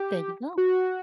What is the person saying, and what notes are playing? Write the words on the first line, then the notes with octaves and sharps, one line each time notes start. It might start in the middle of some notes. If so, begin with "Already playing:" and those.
There you go.
Already playing: G4
F#4